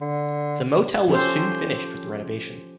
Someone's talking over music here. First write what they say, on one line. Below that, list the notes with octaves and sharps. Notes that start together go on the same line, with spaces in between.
The motel was soon finished with the renovation.
D3
F3 C#4 G4 A4 C5